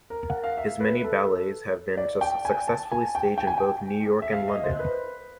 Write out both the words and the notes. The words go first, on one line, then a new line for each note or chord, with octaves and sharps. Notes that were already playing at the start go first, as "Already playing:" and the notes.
His many ballets have been successfully staged in both New York and London.
A#4
F#5
F5
E5
B4
A4
D5
G5
G#5
A5
G#5
G5
G5
G#5
G5
E5
F5
D#5
C5
B4